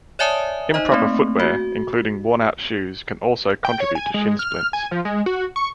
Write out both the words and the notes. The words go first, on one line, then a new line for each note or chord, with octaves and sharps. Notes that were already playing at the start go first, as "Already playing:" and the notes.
Improper footwear, including worn-out shoes, can also contribute to shin splints.
C#5 D5 E5 G#5 A5 D#6
D#4 C5 D#5
A3 A#3 C4
F#4
G5
C#5
G#5
G#3
F6
G#5
F3
G#3
F#4
C#6